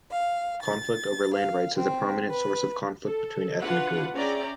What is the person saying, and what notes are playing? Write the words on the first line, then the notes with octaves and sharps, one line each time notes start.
Conflict over land rights is a prominent source of conflict between ethnic groups.
F5
A6
F5
C4
B4
A4
D4 F4 F#4 B4 F#5
C#4 G#4 D5 E5 G5 A#5